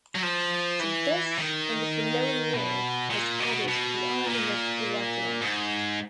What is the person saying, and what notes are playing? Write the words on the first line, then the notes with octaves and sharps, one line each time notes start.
To this in the following year was added the island of Rathlin.
F#3
F3
E3
D#3
B2
A#2
B2
B2
A#2
G#2